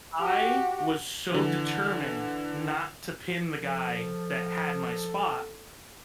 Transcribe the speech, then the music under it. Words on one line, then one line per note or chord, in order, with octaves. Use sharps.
I was so determined not to pin the guy that had my spot,
F#4 G4
D3 E3
F3 A4